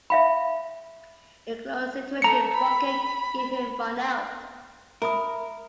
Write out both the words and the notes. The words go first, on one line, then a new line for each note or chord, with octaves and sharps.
In a close situation, Crockett gave him run out.
E5 F5 B5
A3 A#5 C#7
B5
A#4 E5 B5 D#6